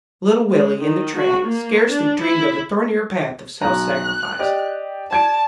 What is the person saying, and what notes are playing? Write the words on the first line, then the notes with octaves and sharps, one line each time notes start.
Little Willie, in the tracts, scarcely dreamed of a thornier path of self-sacrifice.
G#3
D#3
F#4
A#3
D4
E4
B1 A#5 F#6
G4 D5 D#5
D5 A5 G#6 D7